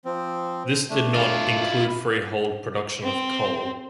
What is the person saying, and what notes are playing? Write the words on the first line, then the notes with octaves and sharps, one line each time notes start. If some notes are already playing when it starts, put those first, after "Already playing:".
This did not "include freehold production of coal".
F3 C4
A3 D4
E4 F4
C4